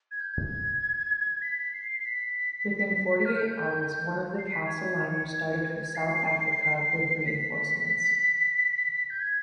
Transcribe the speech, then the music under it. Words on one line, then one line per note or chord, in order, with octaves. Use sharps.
Within forty-eight hours, one of the Castle liners started for South Africa with reinforcements.
G#6
G6
G#6
B6
B6
C7
C7
C7
B6
F6
G6
C7
B6
G#6
C7
B6
G6
G#6